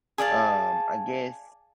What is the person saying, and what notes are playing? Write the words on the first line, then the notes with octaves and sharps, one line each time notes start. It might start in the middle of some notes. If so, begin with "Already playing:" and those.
um, I guess
G#4 D5 F5 A5